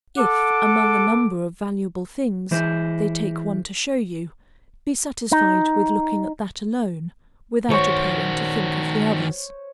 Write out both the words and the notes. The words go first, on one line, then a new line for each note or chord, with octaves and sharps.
If, among a number of valuable things, they take one to show you, be satisfied with looking at that alone, without appearing to think of the others.
A4 F#5 D6
E3 G#3 E4 C5
D#4
D#3 F#4 C5 C#5